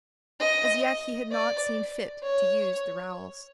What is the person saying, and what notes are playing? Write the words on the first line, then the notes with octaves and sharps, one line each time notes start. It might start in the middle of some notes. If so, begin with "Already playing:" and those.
As yet he had not seen fit to use the rowels.
D#5
D5
C#5